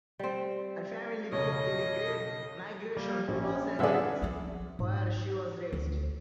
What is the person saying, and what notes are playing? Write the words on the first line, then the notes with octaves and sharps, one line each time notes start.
Her family moved in the Great Migration to Los Angeles, where she was raised.
G3 C4
B1 F2 C#3 C#5 D#5
G3 A#3
A#1 C#4
G2 D3 B3 G#4 D5 E5 F#5
F3 C4
G#2
D2 F4